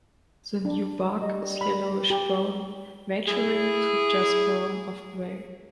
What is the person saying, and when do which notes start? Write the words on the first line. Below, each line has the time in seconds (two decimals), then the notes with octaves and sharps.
The new bark is yellowish brown, maturing to just brown of gray.
0.65 D4
1.22 G3 D#5
1.61 B5
2.10 G4
3.28 E4 G#4